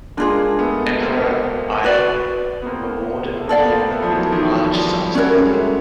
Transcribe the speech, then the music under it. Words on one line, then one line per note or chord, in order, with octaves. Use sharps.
Emperor Ai rewarded him with large sums of money.
G#3 A#3 D4 F4 G#4
A3 B3
A#3 C4
F#4 B4 D5
B3
A#3 C4
A3
A#3 A4 D5 F5
B3
A#3 C4
A3 B3
F3
E3 F#3
D#3 F3
F3 G3
G3 A3 C#4 F#4 A#4 C#5
G#3
G3 A3
A3